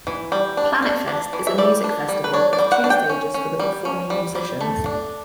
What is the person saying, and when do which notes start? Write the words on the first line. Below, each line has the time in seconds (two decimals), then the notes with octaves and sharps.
Planetfest is a music festival with two stages for the performing musicians.
0.07 E3
0.32 G3
0.57 D4
0.82 D4
1.08 D4
1.33 E3
1.47 E5
1.58 G3 D5
1.84 D4
2.09 G3
2.24 B4
2.33 D4 C#5
2.53 D5
2.59 G3
2.72 F#5
2.84 D4
2.90 G5
3.09 C#4
3.34 C#4
3.59 G3
3.85 C#4
4.10 G3
4.35 G3
4.61 A3
4.86 D4